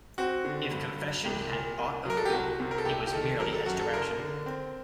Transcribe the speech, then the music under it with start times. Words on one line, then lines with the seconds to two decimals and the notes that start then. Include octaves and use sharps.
If confession had aught of good it was merely as direction.
0.18 C4 F#4
0.45 D3
0.71 G2
0.99 F#3
1.25 C2 G4
1.52 A#2
1.79 C2
2.05 F#3 A#4
2.17 A4
2.25 G4
2.32 C2 F#4
2.60 C3
2.71 A#4
2.78 A4
2.85 C2 G4
3.07 G4
3.13 D#3 A4
3.39 F#3 A#4
3.52 A4
3.66 F#2 F#4
3.79 A4
3.93 F#1 A#4
4.20 D3
4.46 C4